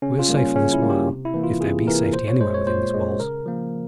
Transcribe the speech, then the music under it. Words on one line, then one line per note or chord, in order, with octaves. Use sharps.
We are safe for this while, if there be safety anywhere within these walls.
C#3 C#4
F4
G3 A#3
C#4
C#3 C#4
E4
G3 A#3
G4
C3
E4
E3 A#3
F4
C3 G#4
E3 A#3 A#4
A#2 C5
C#5
G#3 C5
C#5
A#2 C5
G#3
C#3 A#4
F3 A#3